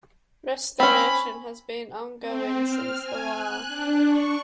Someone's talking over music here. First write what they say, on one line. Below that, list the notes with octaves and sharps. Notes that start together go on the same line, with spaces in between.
Restoration has been ongoing since the war.
C4 C#4 B5
C4
F6
G#5
F#6
D4
C#6